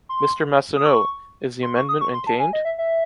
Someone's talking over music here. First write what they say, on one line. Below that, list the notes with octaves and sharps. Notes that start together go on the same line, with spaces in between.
Mrs. Massonneau, is the amendment maintained?
C6
D#6
C#6
C6
C#6
D#6
C#6
C6
A5
G#5
D#5
E5
E5